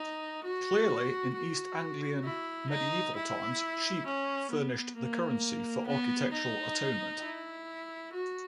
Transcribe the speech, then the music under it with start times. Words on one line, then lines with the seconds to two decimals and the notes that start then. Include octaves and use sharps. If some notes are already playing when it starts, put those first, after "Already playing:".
Clearly in East Anglian medieval times, sheep furnished the currency for architectural atonement.
Already playing: D#4
0.44 F#4
1.35 F#4
2.24 E4
2.70 D#4
3.16 E4
4.07 C#4
4.51 B3
4.96 A#3
5.87 B3
6.33 D#4
7.22 E4
8.14 F#4